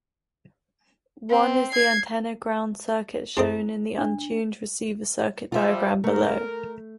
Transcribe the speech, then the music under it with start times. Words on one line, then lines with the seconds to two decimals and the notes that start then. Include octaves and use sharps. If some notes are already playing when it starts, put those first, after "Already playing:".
One is the antenna-ground circuit shown in the untuned receiver circuit diagram below.
1.30 C4
1.71 G#6 C7
3.37 G#3 C4 E4 D#5
3.98 D4
5.52 F3 G3 F4 C5 E5
6.04 A3 A#4